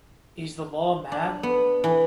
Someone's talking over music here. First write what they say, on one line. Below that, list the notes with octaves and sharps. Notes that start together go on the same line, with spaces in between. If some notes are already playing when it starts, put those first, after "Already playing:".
Is the law mad?
D4
B3
E3